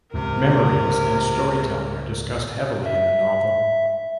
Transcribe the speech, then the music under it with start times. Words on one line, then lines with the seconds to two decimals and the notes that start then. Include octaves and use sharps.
Memories and storytelling are discussed heavily in the novel.
0.14 C#2 G#2 C3 A#4
2.86 E5